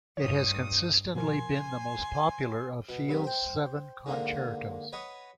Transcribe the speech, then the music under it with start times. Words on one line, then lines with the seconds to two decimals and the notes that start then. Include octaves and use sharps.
It has consistently been the most popular of Field's seven concertos.
0.17 G2 C#5 D#6
1.15 B2 F3 A#4 G#5 C6
2.89 B2
3.09 C2 F#2 B4
3.24 C5 G5
4.06 G#2 D3 A#3
4.93 B4 C#5 D#5 F#5